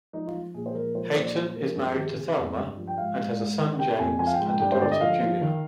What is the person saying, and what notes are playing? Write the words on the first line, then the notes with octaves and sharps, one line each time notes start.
Hayton is married to Thelma, and has a son, James, and a daughter, Julia.
F3 D#4
F4
F3
A#2 G#4
C5
F3 A#4
F3 C5
A#4
A#2 C5
D5
F3 C5
F3 A#4
G2 G#4
G#4
D#3 G4
C3 G#4
F2
G2
F3
G5
G#2 F5
G#2
G#2
D#3
C3 G5
F2 G#5
F3 G#5
F5
G5
G#2
G5
G2 G5
C5
D3 D5
D#5
F3 F5
F3
D#3